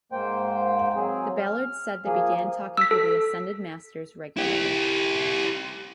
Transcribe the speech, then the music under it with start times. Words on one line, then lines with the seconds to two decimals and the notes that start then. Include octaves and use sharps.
The Ballards said they began talking to the Ascended Masters regularly.
0.12 G#2 A#3 C5 G5
0.96 F#3 C4 G#4
1.39 F6
2.05 F3 A#3 G#4
2.77 E6 B6
2.91 A4
4.37 E4 G4